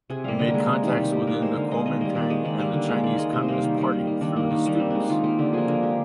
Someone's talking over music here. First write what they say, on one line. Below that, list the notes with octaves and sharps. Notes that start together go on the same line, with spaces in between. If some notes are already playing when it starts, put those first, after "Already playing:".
He made contacts within the Kuomintang and the Chinese Communist Party through his students.
C3 G#4
G3 A#3 F5
D3 D#5
A#4
G#3
C3
D#3 G3
D#3 G4
A#3 G4
D#3 A#4
G#3 C5
D3 F5
G#3 D#5
D#3 D#5
G3 A#3 D#5
D#3 D5
G#3 D#5
D#3 D5
G3 A#3 F5
D3
G#3 F5
D#3 D5
G#3 D#5
C3 D#5
C5
G3 A#3 A#4
D#3
G3 A#3
D#3
A#3
D#3 D4
G3 A#3
D#3
G3 A#3
D#3 C4
G#3 D4
D#4
D#3 F4
A#3 G4
D3 G4
F3 A#3 G#4
D3 A#4
G#3 G4